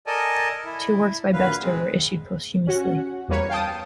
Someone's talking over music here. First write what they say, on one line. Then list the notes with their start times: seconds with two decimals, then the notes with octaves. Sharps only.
Two works by Bester were issued posthumously.
0.07 A4 A#4 D5 D#5 G#5 A5
0.65 E4
1.33 A#2 D3 F#3 B4 F5
1.61 G#3 C4
2.67 C#4 F#4 F#5
3.29 E2 G3 A#3 B4 C#5
3.49 F5 G5 A5 D#6